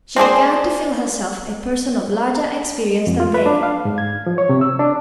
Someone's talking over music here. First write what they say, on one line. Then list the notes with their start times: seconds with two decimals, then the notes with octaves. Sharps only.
She began to feel herself a person of larger experience than they.
0.16 C4 D4 G#4 C5
3.07 F2
3.20 F4
3.34 B4
3.46 D4
3.63 F5
3.85 G#2
3.98 G#6
4.26 F3
4.38 C#5
4.49 C3
4.61 E6
4.79 D4